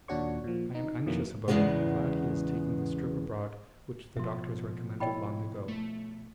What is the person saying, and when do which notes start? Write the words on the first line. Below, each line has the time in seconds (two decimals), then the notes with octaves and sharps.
I am anxious about him and glad he is taking this trip abroad which the doctors recommended long ago.
0.08 D#2 A#2 D4 F#4 C#5 C#6
0.44 A#2 F3
0.75 D#4
1.06 F2 B2 D#3 E3 F#3 A#3
1.48 E2 A#2 C#3 G#3 B3
4.17 B2 F3 E5 C6
5.00 E4 C#5 D#5 G5 B5
5.68 A3